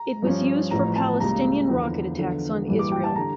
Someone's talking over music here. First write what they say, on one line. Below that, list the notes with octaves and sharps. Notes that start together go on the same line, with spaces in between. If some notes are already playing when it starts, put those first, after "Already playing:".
It was used for Palestinian rocket attacks on Israel.
Already playing: A#5
G2 F3 C#4
A1 A2 F3 A#5
A5
C#2 C#3 G3 A#3 A#5
E2 D3 F3
E2 D3 F3
A1 G2 E3 G3 A#3
D6
G5
A5
D3 G3 A#5